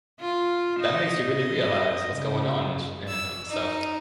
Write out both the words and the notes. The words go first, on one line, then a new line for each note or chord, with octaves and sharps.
that makes you really realize what's going on and sh and, um, stuff.
F4
D#4
D#5
C#3
E6
D#4